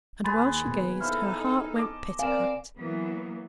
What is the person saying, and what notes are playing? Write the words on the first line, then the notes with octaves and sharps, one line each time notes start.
And while she gazed her heart went pitapat.
D#2 G#4 B4 G#5 B5 C6 A6
B2 B3
D#4 E4 A4 C5 F5 F6
D#5 A5 D6
C4 A#4 D5 F5 G#5 E7
E3 F#3 A#3 B3